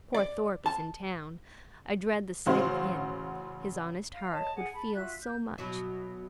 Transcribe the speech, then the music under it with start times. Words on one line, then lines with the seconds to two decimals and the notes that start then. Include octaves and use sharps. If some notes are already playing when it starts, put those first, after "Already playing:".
Poor Thorpe is in town: I dread the sight of him; his honest heart would feel so much.
0.15 D5
0.66 A5
2.46 A1 C#3 F#4 C5 F5
4.13 F5
4.31 C#5 D#5 A5
4.55 G#4 F#5
4.73 A5 B5
4.94 F4 F#4 E5 F#6
5.22 G6
5.58 B2 F#3 E4